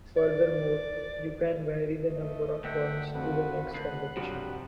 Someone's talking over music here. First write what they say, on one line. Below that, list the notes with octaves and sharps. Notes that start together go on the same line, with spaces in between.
Furthermore, you can vary the number of points to the next combination.
D5
A3 D#5
D2 E5 F#5 G5
F2 F4 F#4 B4
D2 F#5 F#6 C7
G2 C3 F3 F#3